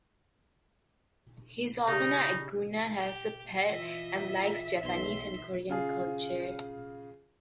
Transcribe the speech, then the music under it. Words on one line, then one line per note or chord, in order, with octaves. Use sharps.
He also has an iguana as a pet and likes Japanese and Korean cultures.
C#3 G3 D#4
G4
E3 F4 D#5 E5
B1 D#4 C6
C#3 F4 G#4